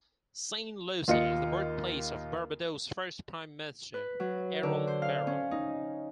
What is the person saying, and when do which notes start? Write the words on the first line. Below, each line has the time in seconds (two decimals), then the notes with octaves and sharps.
Saint Lucy is the birthplace of Barbados's first Prime Minister, Errol Barrow.
1.08 D#2 F4 D#5 C#7
3.94 B4
4.20 F#3
4.63 D3
4.87 C5
5.02 F5
5.27 C#4
5.51 D#4